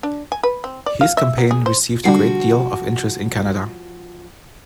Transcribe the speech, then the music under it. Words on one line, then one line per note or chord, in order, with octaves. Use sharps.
His campaign received a great deal of interest in Canada.
D4
G#5
B4
C4
D5
F5
E5
F#3
G#4
C5
D3 F3 G3 F#4 C7